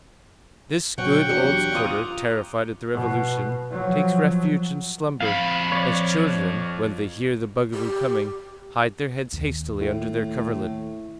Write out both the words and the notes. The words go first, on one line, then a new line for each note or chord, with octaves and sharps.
This good, old quarter, terrified at the Revolution, takes refuge in slumber, as children, when they hear the Bugaboo coming, hide their heads hastily under their coverlet.
B1 F#3 F#5 G5 C#6
E2 F#3 D4 G4 A#4 C#7
F4 A#5 D6 D#6
B2
F3 F#3
F2 F5 B5
C#5 D5
G4
D#2
A2